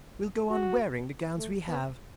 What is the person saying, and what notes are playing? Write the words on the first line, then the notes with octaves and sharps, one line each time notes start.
We'll go on wearing the gowns we have.
F#4
A3
B3